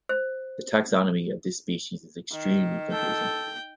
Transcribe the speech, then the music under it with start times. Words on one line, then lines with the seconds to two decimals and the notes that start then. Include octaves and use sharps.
The taxonomy of this species is extremely confusing.
0.09 C5
2.32 D#3
2.92 A4 G5